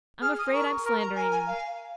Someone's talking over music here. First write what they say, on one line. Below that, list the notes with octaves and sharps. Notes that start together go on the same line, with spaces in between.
I'm afraid I'm slandering him.
G#4 F6
D#6
A#4 C#6
A#4 C#6
A#5
A#4 G#5
G#5
F5